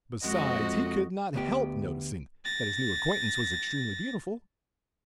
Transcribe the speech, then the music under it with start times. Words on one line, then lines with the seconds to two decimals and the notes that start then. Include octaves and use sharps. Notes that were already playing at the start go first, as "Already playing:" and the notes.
Besides, he could not help noticing that his new acquaintance was extremely beautiful.
0.24 F2 G#3 F#4 D#5
1.34 D2 B3 G4
2.45 A6 A#6